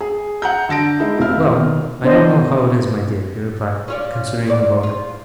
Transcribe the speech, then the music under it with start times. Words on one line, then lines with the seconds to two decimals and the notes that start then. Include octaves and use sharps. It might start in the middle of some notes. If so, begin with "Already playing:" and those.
'Well, I don't know how it is, my dear,' he replied, considering about it.
0.01 G#4
0.42 F#5 A#5 G6
0.69 D3 A5 A#6 D7
0.99 G#3 D#4 E4
1.19 F1 C3 E4 F5 F6
1.49 B2 D#3
2.03 B3 D4 C5 C#5 D#5
3.88 C#4 F4 D5
4.47 E2 D5
4.83 F4